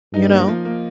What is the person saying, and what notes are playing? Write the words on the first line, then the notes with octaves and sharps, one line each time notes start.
you know.
G2 D#4
A#3
F3
A#3